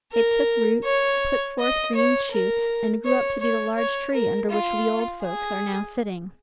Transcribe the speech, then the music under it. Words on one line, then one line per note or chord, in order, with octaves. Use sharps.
It took root, put forth green shoots, and grew up to be the large tree under which we old folks are now sitting.'
A#4
C#5
D#5
C#5
A#4
C#5
C#5
C#5
A#4
F4
G#4